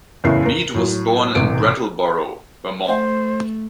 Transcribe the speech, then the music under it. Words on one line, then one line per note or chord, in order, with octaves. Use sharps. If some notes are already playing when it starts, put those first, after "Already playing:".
Mead was born in Brattleboro, Vermont.
F#1 E2 A2 C#3 E5 C7
A#4
A2 F#3
E1 A1 C3 D7
A3 C5